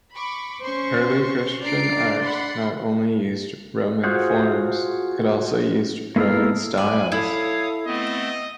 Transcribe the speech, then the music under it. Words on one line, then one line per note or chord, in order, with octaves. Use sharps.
Early Christian art not only used Roman forms, it also used Roman styles.
B5 C#6 D6
C#4 C5 C6 C#6
D4 D5 A#5 C7 D7
F#5 B5 C6
F4 F#4 G#4 C5 F#5
A#3 B3 E4 A4 F5
D5 G#5 B5
E4 A4 C#5 F5 D#6
A3 B3 C4 D#5